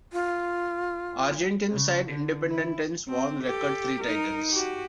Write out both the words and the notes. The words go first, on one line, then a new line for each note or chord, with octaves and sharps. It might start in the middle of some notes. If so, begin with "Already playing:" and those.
Argentine side Independiente won a record three titles.
F4
C#3
D3
E4
C4
G4 A4
D#4 A#4
F#4 G4